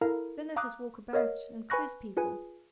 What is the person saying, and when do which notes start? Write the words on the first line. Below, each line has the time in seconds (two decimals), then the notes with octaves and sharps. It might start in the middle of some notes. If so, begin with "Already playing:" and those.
Then let us walk about and quiz people.
0.01 E4 A4 A#4 F5 A#5
0.56 F5 A#5 D6 D#6 F#6
1.13 A#4 C#5 D#5 F5
1.70 B4 G#5 B5 C#6 F#6 A#6
2.17 F4 G#4 B4 G#5